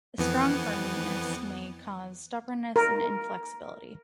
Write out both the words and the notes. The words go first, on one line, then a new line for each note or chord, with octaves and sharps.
A strong Firmness may cause stubbornness and inflexibility.
F2 E3 B3
A#4